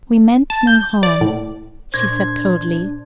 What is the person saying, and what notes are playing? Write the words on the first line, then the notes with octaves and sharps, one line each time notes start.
"We meant no harm," she said, coldly.
A5
G6
D5
A2
A#2 D4 C5 C#6 G#6 A#6